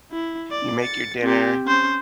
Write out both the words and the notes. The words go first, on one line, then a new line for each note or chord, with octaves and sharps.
you make your dinner,
E4
D5
A6 C#7
C4 G4
C#4 C5